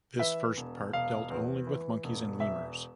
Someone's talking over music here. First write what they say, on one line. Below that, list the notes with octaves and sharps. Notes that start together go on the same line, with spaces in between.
This first part dealt only with monkeys and lemurs.
E3 E5
E1
E1 F5
E2
E3
E1
E1 E5